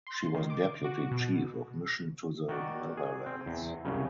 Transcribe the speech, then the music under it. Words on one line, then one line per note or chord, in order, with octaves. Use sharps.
She was deputy chief of mission to the Netherlands.
C6
D#3
D6
F#4
B2
D#3 F#4 D5
G#4
C4
E2
C2 F#2 C#3